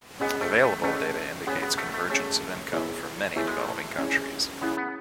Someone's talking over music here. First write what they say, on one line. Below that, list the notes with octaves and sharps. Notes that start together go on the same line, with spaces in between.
Available data indicates convergence of income for many developing countries.
B3 C#4 G#4 D#5 F#5
A3
A3
A3 C#4 G#4 D#5 F#5
B3 C#4 G#4 C#5 F#5
B3
A3
A3
A3 C#4 G#4 C#5 F#5
B3 E4 G#4 C#5 E5
A3 B3 E4 G#4 C#5 E5
G#3
A3
C#4 E4 G#4
B3 C#4 E4 G#4
B3